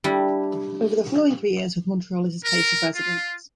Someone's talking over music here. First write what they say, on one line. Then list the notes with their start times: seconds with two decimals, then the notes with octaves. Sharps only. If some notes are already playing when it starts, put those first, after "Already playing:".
Over the following three years, with Montreal as his place of residence.
0.04 G3 D4 E4
2.44 A#4
2.94 F4